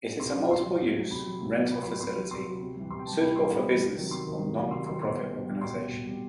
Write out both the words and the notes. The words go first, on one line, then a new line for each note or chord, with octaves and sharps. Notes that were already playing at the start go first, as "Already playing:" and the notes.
It is a multiple-use rental facility suitable for business or not-for-profit organization.
C3 C6
F#3
C3 C6
F#3
C3
F#3
C3 B5
F#3
C3
F#3
C3 B5
C6
F#3 B5
C3 C6
F#3
C3 C6
F#3
C3
E3 G3
C3 C6
G5
E3 G3 A5
C3 B5
E3 G3 C6
C3 B5
E3 G3
C3
D#3 F#3
C3 C6
D#3 F#3
C3
D#3 F#3
C3 C6
D#3 F#3 C6
B2 C6
G3
B2
G3
B2 C6
G3
B2
G3